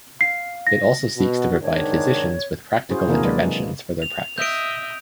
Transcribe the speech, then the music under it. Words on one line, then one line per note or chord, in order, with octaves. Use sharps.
It also seeks to provide physicians with practical interventions for their practice.
F5 C7
A#6
B2 F#4
G#2 D#3 D4 C#5
C#4 E4 F#4 G#4 C5
C3 E3 A#3 D4 G#4 A#4
F#3 G#3 B4 D5
F7
D#5 E5 G6 D7